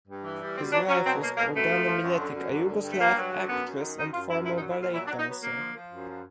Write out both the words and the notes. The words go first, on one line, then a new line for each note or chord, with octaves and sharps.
His wife was Gordana Miletic, a Yugoslav actress and former ballet dancer.
G2
E3
G3
B2 C4
F#3 D4
F#3 C#4
B2 C4
F#3 A#3
B2 A#3
F#2 A3
F3
F3
F#2
D3
F#2
D3
D3
G2
A3
G2 A#3
F#3
D3
F#2 B3
F#2
D#3
F#2 D#4
F#2 F4
F#2 E4
A#2 E4
D#4
F#3
E4
A#2 F4
F#3 E4
D4
F#3
D#4
F#3 B3
D3 A#3
F3
F3
F#2
F3